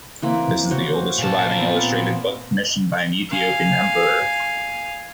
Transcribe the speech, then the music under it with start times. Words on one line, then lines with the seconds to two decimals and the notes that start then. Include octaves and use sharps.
This is the oldest surviving illustrated book commissioned by an Ethiopian Emperor.
0.22 E3 A#3 C4
0.71 F#4 C5 C#5
1.18 A#2 A5
1.57 B3 C4
3.29 F5 G#5